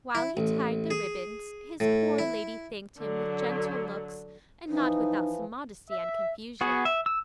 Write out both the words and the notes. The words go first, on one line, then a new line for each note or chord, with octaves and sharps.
While he tied the ribands his poor lady thanked him with gentle looks and not without some modesty and confusion.
E4
A1
G#4
A2
E4
D3 F#3
E3 F3 D#4
E5
B3 F#4 G#4
E5
E6